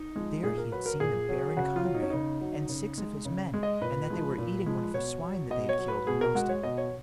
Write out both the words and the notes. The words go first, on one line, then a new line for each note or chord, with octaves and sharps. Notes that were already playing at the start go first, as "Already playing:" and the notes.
There he had seen the Baron Conrad and six of his men, and that they were eating one of the swine that they had killed and roasted.
Already playing: D#4
F3 G#3
A#2 G#4
A#4
F#3 B4
A#4
A#2 G#4
F#3
C#3 F#4
F4
F#3
D#4
C#4
C#3 D#4
F#3
C#3
G#3
C#3
G#3
D#5
A#2 B4
F3 G#3
A#2
F3 G#3
B2 C#5
F#3
B2 D#5
C#5
F#3
B4
B2 G#4
A#4
G#3 F#4
C#5
B2 D#5
C#5